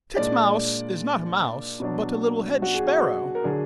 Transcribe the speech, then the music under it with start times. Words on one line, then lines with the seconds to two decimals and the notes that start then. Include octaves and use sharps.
Titmouse is not a mouse, but a little hedge sparrow.
0.16 A#2 G#3 D4 D5
1.80 B2 F#3 D4
2.62 F#4
2.74 G#4
2.87 F#4
3.35 A#4
3.44 D3 F#3 D4 G#4